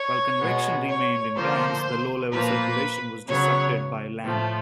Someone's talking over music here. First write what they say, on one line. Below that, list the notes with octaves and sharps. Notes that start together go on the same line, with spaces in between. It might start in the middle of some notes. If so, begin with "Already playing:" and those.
While convection remained in bands, the low level circulation was disrupted by land.
Already playing: C#5
B2 G#3 B3
C#5
D3 F3 A#3 C5
A#2 F3 A#3 B4
C#3 F#3 B3 C#5
A2 F3 A3